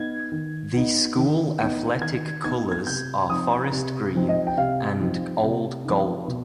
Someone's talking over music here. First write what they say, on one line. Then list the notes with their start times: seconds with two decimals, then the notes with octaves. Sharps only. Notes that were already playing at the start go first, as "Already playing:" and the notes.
The school athletic colors are forest green and old gold.
Already playing: B3 D#4 G#6
0.32 D#3
0.74 B3 D#4
1.17 D#3
1.59 B3 D#4
2.02 D#3 G#6
2.44 B3 D#4 G#6
2.72 G#6
2.87 C3 G6
3.30 F3 C4 D#4 D#6
3.72 C3
4.15 F3 C4 D#4
4.29 D#5
4.47 G5
4.57 C3 F5
5.00 F3 C4 D#4
5.43 C3
5.85 F3 C4 D#4
6.28 B2